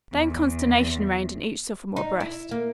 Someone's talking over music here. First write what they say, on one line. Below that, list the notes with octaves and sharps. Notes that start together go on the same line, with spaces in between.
Then consternation reigned in each sophomore breast.
E2
D#4
E4
A#3